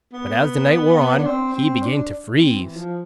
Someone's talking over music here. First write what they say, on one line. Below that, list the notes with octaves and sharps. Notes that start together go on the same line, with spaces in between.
But as the night wore on he began to freeze.
B3
D4
C4
C4
D4
C4
E3
F3